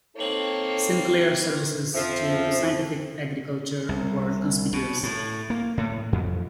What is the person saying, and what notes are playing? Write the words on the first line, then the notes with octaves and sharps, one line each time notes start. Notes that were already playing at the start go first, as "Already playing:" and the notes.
Sinclair's services to scientific agriculture were conspicuous.
A#3 C4 D#4 A4 C#5
F2 F3 C5 E5
C2
B2
A2
A#3
A2
F2